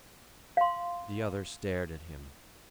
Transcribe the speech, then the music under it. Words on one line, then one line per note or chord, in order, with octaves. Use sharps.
The other stared at him.
F5 C6